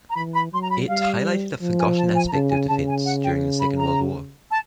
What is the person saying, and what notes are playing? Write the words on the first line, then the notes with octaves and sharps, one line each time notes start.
It highlighted a forgotten aspect of defence during the Second World War.
A#5
E3 B5
B5
F#3 C6
A#5
B5
G3 F5
F3
G#5
A5
G#5
A#5
C#3 A5
G#5
C#3 A5
G#5
F#5
G5
B5
A#5
A5